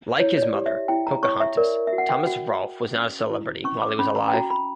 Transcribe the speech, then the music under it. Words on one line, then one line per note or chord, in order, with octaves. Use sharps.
Like his mother, Pocahontas, Thomas Rolfe was not a celebrity while he was alive.
E4 C#5
C#5
D5
G4
E5
E4 G5
A#5
C#5 C#6
E5
A#4 D5
E5
F#4
F#5
G5
F#4
F#4
C#4
E4
C#4 C#6
D6
C#4 B5
A#5
G5
F#4 A#5
B5